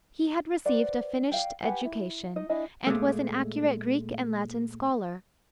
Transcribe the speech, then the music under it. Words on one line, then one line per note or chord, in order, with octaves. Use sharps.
He had received a finished education, and was an accurate Greek and Latin scholar.
B4 C5 D5 F#5
D5 F5 G5
G4 B4 F#5 G#5
E4
D#4 D#5
D4 E4 D#5 G#5
A#2 G#3 A3